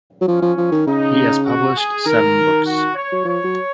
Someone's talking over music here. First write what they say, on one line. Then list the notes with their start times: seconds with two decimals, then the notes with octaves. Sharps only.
He has published seven books.
0.21 F#3
0.28 F3 C#4
0.42 F3
0.58 F3
0.72 D#3
0.87 C#3 D#4
1.46 F#4
1.77 G#4
2.06 D#3 A#4
2.66 F#4
2.95 C#5
3.12 F#3
3.25 F3 C#5
3.45 F#3